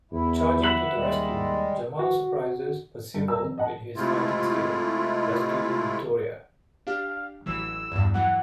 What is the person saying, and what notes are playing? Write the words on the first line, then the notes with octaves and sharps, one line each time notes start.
Charging to the rescue, Jamal surprises Percival with his fighting skills, rescuing Victoria.
E2 E4
E5 F#5 B5
D#2 G3 G#3
F#4
G2
G#5 A#5 E6
C4
D#5 F#5 A5
C3 G#3 A3 E4 F4
D4 G4 F5
A1 E3 F#3 E6
E2 G2
E3 F#3 F#5